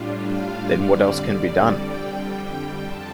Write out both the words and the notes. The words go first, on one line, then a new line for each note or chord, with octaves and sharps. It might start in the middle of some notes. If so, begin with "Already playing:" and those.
Then what else can be done?
Already playing: A2 G3 D4 F4
F5
F2 D3 G3 D5
D5
G5
G5
F2 F3 A5